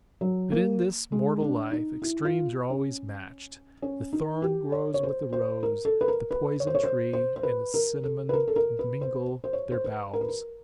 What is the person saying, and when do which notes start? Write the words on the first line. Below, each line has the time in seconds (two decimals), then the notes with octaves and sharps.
But in this mortal life extremes are always matched; the thorn grows with the rose, the poison tree and the cinnamon mingle their boughs.
0.21 F#3
0.52 A#3
1.12 G#3
1.42 D4
1.71 D#4
2.02 E4
2.25 F4
2.70 C#4
3.82 C#4
4.13 D#4
4.42 G4
4.72 C#5
4.94 C#5
5.03 C5
5.33 C5
5.63 A#4
5.85 A4
6.01 B4
6.08 A#4
6.31 B4
6.60 C#5
6.67 C5
6.75 C#5
6.84 C5
7.13 C5
7.36 C5
7.43 B4
7.74 A#4
8.03 A4
8.29 B4
8.33 A#4
8.48 A4
8.56 A#4
8.79 B4
9.01 C5
9.44 C5
9.53 C#5
9.72 C5
9.84 B4
10.13 A#4
10.21 B4
10.28 A#4